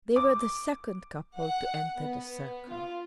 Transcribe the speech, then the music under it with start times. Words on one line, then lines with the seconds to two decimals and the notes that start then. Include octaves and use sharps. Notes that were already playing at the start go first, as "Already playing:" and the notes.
They were the second couple to enter the circle.
0.16 D6
1.38 F#5
1.99 B3
2.70 F4